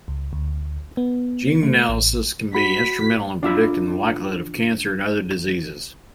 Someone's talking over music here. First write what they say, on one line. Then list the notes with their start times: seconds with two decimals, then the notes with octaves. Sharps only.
Gene analysis can be instrumental in predicting the likelihood of cancer and other diseases.
0.08 C#2
0.33 D2
0.97 B3
1.63 A3
1.89 A1
2.55 F#4 B5 B6
3.43 D4 F4 E5 B5